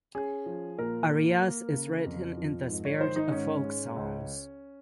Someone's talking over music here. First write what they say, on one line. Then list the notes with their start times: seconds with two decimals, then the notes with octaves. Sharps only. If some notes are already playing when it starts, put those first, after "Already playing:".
Arias is written in the spirit of folk songs.
0.15 C#4 G#4
0.46 F3
0.78 A#2 A#4
1.10 A#3
1.42 A#3
1.73 C#3
2.06 F2
2.37 F3
2.69 G#2
2.85 C#5
3.01 D#3 C5
3.16 D#4
3.32 G#2 C#4
3.64 G#3
3.96 C#2